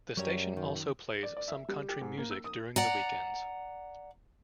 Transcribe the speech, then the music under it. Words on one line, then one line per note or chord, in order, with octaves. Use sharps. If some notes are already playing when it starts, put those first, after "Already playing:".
The station also plays some country music during the weekends.
F#2 F#3 G3 C#5
D#3
D5
D5
E5
G3
G4
G#2
A#3
E6
D#6
D5 F#5 A#5